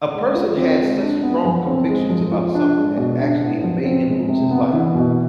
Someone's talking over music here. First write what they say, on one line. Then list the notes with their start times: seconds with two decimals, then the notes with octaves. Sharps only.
a person has such strong convictions about something that actually made him lose his life.
0.13 G#3
0.35 F4
0.57 C4
0.79 G#3
1.01 D4
1.23 B3
1.45 F3
1.67 C4
1.89 G#3
2.10 F3
2.32 F4
2.55 D4
2.76 G#3
2.97 B2
3.20 D4
3.42 B3
3.64 F3
3.85 C4
4.07 G#3
4.29 C3
4.51 B3
4.73 E3
4.95 B2